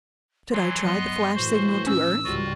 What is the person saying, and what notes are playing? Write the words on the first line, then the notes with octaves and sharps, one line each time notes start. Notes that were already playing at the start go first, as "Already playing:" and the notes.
Should I try the flash signal to Earth?
E3 F#3 C6
G2 F#3 B3 D#5 F#6
A2 E3 F#4 C5
C#4 E6
C#2 G#2 G3 F4 F#4